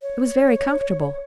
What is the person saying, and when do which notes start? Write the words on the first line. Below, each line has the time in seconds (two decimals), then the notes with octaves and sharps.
It was very comfortable.
0.02 C#5